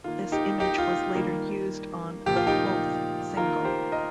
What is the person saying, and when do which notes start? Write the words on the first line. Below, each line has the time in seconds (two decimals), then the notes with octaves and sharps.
This image was later used on the Quoth single.
0.04 D#3 A#3 F4
0.32 D#4 G4
0.60 D#4 G4
0.78 F4
1.15 D#3 G3 A#3
2.26 A#2 F3 A#3 G4
2.37 F4
2.47 D#4 G4
3.37 D#3 A#3 F4 A#4
3.65 G4 C5
3.92 A#4 D#5